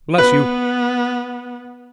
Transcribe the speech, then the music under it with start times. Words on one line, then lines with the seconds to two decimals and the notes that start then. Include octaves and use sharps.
Bless you!'
0.18 B3 B4